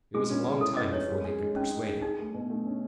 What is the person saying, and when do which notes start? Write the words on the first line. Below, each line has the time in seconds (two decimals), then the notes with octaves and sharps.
It was a long time before they could persuade him.
0.14 G#3 G#4
0.30 C#4
0.45 G#3
0.61 E4 A4
0.77 B4 D#5
0.93 C#4 C#5
1.08 G#3
1.24 G#4
1.39 G#3
1.55 C#4 D#4
1.72 D#4
1.86 G#4
2.02 D#4 G#4
2.19 A3
2.34 B2
2.50 A3
2.66 C#4